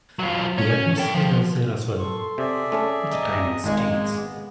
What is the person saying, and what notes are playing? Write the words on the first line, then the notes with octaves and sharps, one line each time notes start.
He admits he loves her as well, but the timing stinks.
F#3 F4
C#4
A4 G5
F3
A4 C6 C#6
C3 G#4 D5 E5
A3 C#4 A4
D#5 A#5
G#1 A#2 G#3 A#3
B3